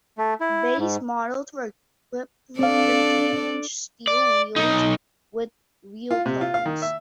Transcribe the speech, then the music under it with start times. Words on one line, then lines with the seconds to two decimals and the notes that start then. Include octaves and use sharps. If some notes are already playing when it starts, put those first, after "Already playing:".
Base models were equipped with fifteen-inch steel wheels with wheel covers.
0.18 A3
0.40 E4
0.78 G#2
2.59 C4 D4 A4 D5 F5
4.07 D5
4.56 B1 D#4
6.11 F4
6.26 C3
6.41 F4
6.54 F5
6.66 D#3
6.82 E5